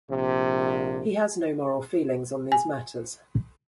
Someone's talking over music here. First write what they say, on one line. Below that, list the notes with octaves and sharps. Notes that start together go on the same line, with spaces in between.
He has no moral feelings on these matters.
A#1 C3
G#5